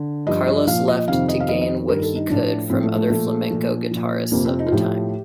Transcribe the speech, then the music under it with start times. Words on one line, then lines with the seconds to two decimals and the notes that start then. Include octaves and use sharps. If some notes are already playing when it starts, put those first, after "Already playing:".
Carlos left to gain what he could from other flamenco guitarists of the time.
Already playing: D3
0.27 G2 F3 D#5
0.48 D#5
0.67 A#2 F3 F5
0.88 D#5
1.08 F2 C3 D#3 F5
1.28 D#5
1.40 F5
1.48 F2 D#3 D#5
1.62 D#5
1.89 G2 D#3 A#4
2.02 A4
2.16 D#4
2.29 A2 F3 D4
2.70 A2 F3 C4
2.83 A3
2.97 A3
3.10 A#2 F3 A3
3.50 A#2 F3
3.91 A#2 F3
4.31 F2 C3 F3 A#3
4.45 C4
4.59 D#4
4.66 F4
4.72 A2 F3 G4